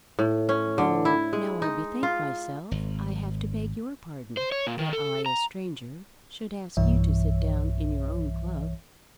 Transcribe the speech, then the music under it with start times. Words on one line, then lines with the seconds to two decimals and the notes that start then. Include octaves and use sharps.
"Though now I bethink myself, I have to beg your pardon;--that I a stranger should ask you to sit down in your own club."
0.19 A2
0.49 C#4
0.78 D3
1.05 E4
1.33 G#3
1.62 D#4
2.03 F4
2.71 G#1
4.37 C5
4.52 C#5
4.67 A#2
4.79 D#3
4.93 A4
5.26 A#5
6.77 B1 G2 E3 C#5 E5